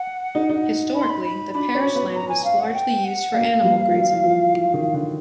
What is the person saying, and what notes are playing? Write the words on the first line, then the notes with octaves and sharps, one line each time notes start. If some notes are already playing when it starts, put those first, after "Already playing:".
Historically, the parish land was largely used for animal grazing.
Already playing: F#5
D#4
D#4
B5
C6
B5
B5
D4 B5
C#4
B3
A#5
G#5
F5
F#5
G5
F#5
A#3 F5
G3
F3
F#3
E3
F3
E3
D#3
D3